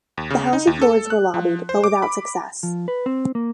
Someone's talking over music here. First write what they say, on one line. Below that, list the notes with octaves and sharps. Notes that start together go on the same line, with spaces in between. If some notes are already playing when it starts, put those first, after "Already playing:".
The House of Lords were lobbied, but without success.
D#2
C#3
D#4
D#2
A4
F#6
F3
C5
D6
B5
F3
B4
C4
A#3